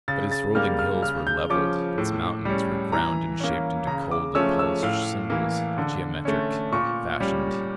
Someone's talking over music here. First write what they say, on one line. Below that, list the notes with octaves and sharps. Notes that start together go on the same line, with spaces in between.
But its rolling hills were leveled, its mountains were ground and shaped into cold and polished symbols--geometric, fashioned.
C#3 A6
A6
G3 A#3 F6
F6
C#3 F6
G6
F3 C#4 D6
A2
G3 C#4
E3 A#5
A#3 C#4
C#3 A#5
D6
F3 A3 C#4 E6
E6
A2 F5
E3 A#3
D3
A3 C#4
A#2 C#6
G3 C#4